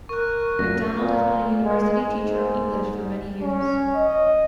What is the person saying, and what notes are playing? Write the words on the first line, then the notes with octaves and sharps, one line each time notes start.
McDonald has been a university teacher of English for many years.
A#4 C#6 F#6
F#2 A#2 A#6
A#2
G#3
G#2
C#4
D#5